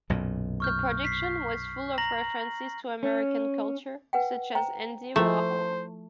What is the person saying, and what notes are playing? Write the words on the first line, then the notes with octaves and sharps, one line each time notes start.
The production was full of references to American culture, such as Andy Warhol.
B1 F#2 A#2
C#6 F6 G6
B6 C7
A#5 A#6 F#7
C#4
B4 F#5 G5
C5 G5 A#5
F3 A3 E4 F4 C5 G5